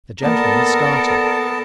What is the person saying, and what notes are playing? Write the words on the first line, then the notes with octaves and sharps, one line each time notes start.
The gentleman started.
A#3 B3 A4 A#4 D5 A5